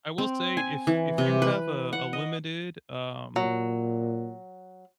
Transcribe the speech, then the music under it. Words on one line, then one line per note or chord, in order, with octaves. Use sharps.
I will say if if you have a a limited, um,
C4
G#5
E3
C3
B4
F#5
D#5
A#2 F#3